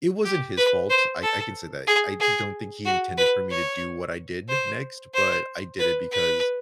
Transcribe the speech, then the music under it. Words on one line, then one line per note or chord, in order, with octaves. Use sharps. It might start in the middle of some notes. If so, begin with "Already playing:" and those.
it wasn't his fault. I I can say that. I don't think he intended for me to do what I did next, but I did it because
G4
B4
C5
A4
G#4
G#4
F#4
B4
C#5
C5
C5
B4
B4